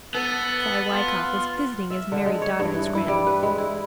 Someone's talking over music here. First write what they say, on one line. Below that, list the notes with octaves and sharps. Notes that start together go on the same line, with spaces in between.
Cy Wykoff is visiting his married daughter in Scranton.
B3 A4
F4
E5
D3
G#3
C#5
G2
E3
E4
G3
B4
G#3
E4